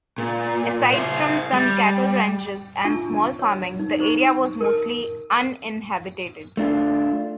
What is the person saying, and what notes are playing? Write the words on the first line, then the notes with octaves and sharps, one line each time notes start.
Aside from some cattle ranches and small farming, the area was mostly uninhabited.
A#2
E4 C5
G3
D4 F4 G#5 A5 C#6
C#5
D#4
D#4 C5 C#6
A#4 A5
A3 D4 F4